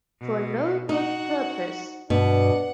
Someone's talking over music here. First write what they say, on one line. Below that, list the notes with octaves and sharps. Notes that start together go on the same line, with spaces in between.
For no good purpose.
B2
D#4 F#4 F#5
G2 B2 D4 F#5